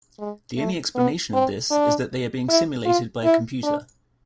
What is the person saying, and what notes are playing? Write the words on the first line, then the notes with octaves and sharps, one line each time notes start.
The only explanation of this is that they are being simulated by a computer.
G#3
A3
B3
C4
D4
E4
F4
E4
D4